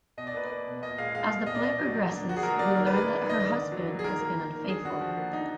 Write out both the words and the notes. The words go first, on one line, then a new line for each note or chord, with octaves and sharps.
As the play progresses, we learn that her husband has been unfaithful.
B2 D#5
D5
A#3 B4
D5
A#3
B2
A#2 D#5
G#3 F5
G#3 F5
A#2
B2 D#5
D5
B2 D#5
F#3 D5
A#3
D3
D3 F#4
G#4
F#3 A#4
A#3 D5
D#3 A#4
B4
G#3
D5
G#3
D#3
D#5
D3 D5
D3
F#3
A#3
G#4
D#3 A#4
A#3
A#3
D#3
D3 G#4
D3 F#4
F3
A#3
D3 D#4